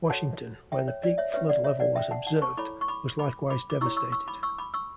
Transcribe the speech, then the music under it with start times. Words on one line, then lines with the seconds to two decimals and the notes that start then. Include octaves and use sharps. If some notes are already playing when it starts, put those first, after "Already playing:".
Washington, where the peak flood level was observed, was likewise devastated.
0.10 F#4 A4 C#5 F#5 A5
0.72 E5 G5
0.88 C#5
1.03 D5
1.18 C#5 E5
1.34 C#4 G4 B4 C#5 E5
1.49 D5 F#5
1.64 C#5 E5
1.80 D5 F#5
1.96 E5 G5
2.11 F#5 A5
2.27 F#5 A5
2.42 A5 C#6
2.57 E4 A4 C#5 B5 D6
2.81 C#6
2.88 B5 D6
3.19 B5 D6
3.50 B5 D6
3.70 D6
3.81 E4 G4 C#5 C#6 E6
3.97 C#6 E6
4.12 C#6 E6
4.28 B5 D6
4.43 C#6 E6
4.58 B5 D6
4.74 C#6 E6